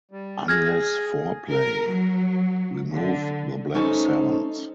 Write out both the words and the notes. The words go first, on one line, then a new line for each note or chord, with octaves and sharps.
Unless four play, remove the black Sevens.
G3
G#4 F6 G#6 A#6
A#4
F#3
D3
A3 C#4 D#4 A4 C5